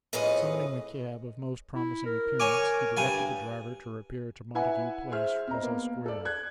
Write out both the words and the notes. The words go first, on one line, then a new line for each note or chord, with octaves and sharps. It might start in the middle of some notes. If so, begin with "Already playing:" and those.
Summoning the cab of most promising appearance, he directed the driver to repair to Montague Place, Russell Square.
F2 A2 C#4 G#4 B4 D#5
E4
A#4
C#5 G#5 D6
G2 G#5
E4 B4 E5 F#5 G#5
G#4 C5 E5 F6
C4 D#5 A#5
A#3 B3
A4 D5
F#6 G#6